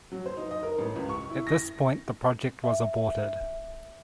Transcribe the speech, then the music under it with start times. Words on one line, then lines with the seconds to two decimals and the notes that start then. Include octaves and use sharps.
At this point the project was aborted.
0.12 F#3
0.26 C5
0.37 D#4
0.51 D#5
0.63 A#4
0.78 A1
0.96 C#2
1.09 C#6
1.30 E4
1.47 A#6
2.64 E5